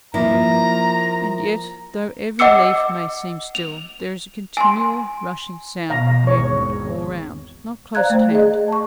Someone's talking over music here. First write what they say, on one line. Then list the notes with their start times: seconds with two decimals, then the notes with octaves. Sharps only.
And yet, though every leaf may seem still, there is a continual rushing sound of movement all around--not close at hand.
0.14 F3 A#3 E4 A#5
2.39 D#5 F#5 D6 E6 C#7
3.55 F7
4.57 G#5 C6
5.90 B2 F5 A#5
6.27 G#1 E2 C#5
7.95 C5 D5 F5 A#5 F#6 G#6
8.10 A3
8.31 G#4 D#5
8.68 A5 C#6